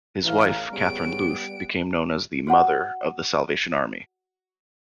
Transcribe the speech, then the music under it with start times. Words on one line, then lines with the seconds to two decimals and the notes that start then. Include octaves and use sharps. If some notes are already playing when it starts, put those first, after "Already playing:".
His wife, Catherine Booth, became known as the "Mother" of The Salvation Army.
0.25 A1 E3 F5 A#5
0.72 C#3 G3 B3 D7
2.47 F#4 C5 F#5